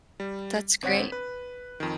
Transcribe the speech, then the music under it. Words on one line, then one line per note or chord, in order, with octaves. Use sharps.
That's great.
G3
G1 C4 C#5 F#5 B6
B4
F2 D#3